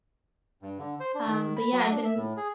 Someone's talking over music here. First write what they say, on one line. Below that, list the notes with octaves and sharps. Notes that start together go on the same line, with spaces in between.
Um, but yeah, I've been
G2
D3
C5
D4
D#3
B5
F#3
D4
E5
A2
G#4